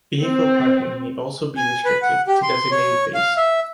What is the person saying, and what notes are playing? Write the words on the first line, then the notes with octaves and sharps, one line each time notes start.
Vehicle parking may also be restricted to designated bays.
C4
G#5
B4
F#5
G4
C6
C#5
F5
E5